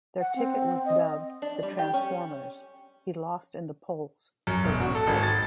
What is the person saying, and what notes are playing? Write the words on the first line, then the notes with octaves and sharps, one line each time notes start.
Their ticket was dubbed "the Transformers"; he lost in the polls, placing fourth.
F#5
C4
D#5
D4
G3
G4
C#4
F#2
E1
F#4
A4
G#1
A6